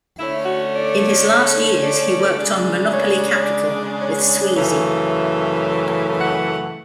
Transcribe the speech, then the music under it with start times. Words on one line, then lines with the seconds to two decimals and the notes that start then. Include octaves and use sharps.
In his last years he worked on "Monopoly Capital" with Sweezy.
0.18 D3 A3 C#4 E4
0.45 F#4
0.73 D5
1.82 D5
2.37 C#3 G#3 D4
2.92 C#5
3.34 C#5
3.46 D5
4.01 C#5
4.55 F#2 C#3 E3 A3 C#4
5.10 E5
6.20 F#5